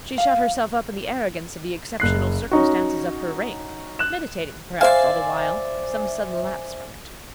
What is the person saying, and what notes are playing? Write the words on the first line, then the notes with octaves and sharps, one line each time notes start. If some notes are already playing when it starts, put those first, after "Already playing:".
She shut herself up in the arrogance of the exceptional circumstances of her rank, meditating, perhaps, all the while, some sudden lapse from it.
F5
F#1 F#6 C7
C#4 D#4 F#4
F#6 E7
C5 D5 E5 F5 G#5